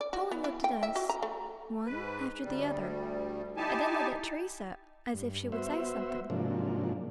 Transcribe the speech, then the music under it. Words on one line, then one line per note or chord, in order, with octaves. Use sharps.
Paula looked at us, one after the other, and then looked at Teresa as if she would say something.
D5
F#4
B3
E4
G5
E5
F#4
A#5
A3
G#2 B4
D2 G3
D#4 E4 G4 G#5 A5
G2
B3 F#4 C5 E5
G#2 C3 F3 F#3 A#3 D4